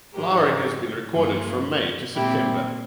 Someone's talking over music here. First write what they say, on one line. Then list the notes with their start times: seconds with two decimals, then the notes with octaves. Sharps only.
Flowering has been recorded from May to September.
0.13 G#2 F3 G#3 G4 A#4
1.14 G2 F3 A#3 F4 G#4
2.16 A#2 G#3 C4 E4 G4